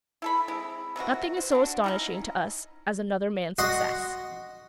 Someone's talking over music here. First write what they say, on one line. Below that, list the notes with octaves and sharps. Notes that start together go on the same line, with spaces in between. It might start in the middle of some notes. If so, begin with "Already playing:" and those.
Nothing is so astonishing to us as another man's success.
E4 A4 B5
G#3 C4 E4
C3 D#3 E3 F#4
C5
D4 F#4
C#4 D#4 E4
F#4 D#5 F#5 C6 C#6